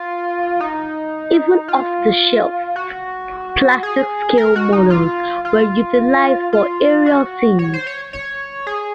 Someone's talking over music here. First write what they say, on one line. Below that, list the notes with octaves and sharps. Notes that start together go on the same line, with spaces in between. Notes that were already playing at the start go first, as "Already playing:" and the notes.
Even off-the-shelf plastic scale models were utilized for aerial scenes.
Already playing: F4
D#4
F4
F#4
G#4
A#4
F#4
D#4
F4
F4
F4
F#4
C#5
C5
C#5
C#5
G#4